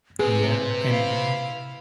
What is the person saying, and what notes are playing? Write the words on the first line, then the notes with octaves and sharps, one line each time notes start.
Yeah, and
C3 G#4 B4
E4 F5